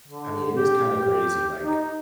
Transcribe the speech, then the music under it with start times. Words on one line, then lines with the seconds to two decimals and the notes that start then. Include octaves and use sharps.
I mean, it is kinda crazy, like,
0.08 D3
0.57 G4
1.03 G4
1.61 D#4